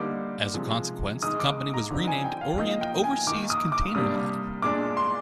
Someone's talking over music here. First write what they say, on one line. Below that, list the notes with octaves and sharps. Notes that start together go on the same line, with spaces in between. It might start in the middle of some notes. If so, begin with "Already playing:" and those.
As a consequence the company was renamed Orient Overseas Container Line.
Already playing: D3 G3 A#3 D#4 D6
C3 F3 G#3
D#3 G#3 D#4 D#6
D6
A#5
D3 F3 C4 D#4
G#5
G5
F5
F3 A#3 D#4 D#5
G5
G#5
D#3 A#3 D#4 D6
D#6
D6
C3 G3 A#3 D4 D#6
A#2 G#3 D4 D6
C6